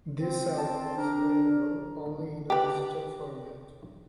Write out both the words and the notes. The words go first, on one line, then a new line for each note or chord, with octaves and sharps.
This album is available only in a digital format.
C4
A5
D4 A#4
G4 B4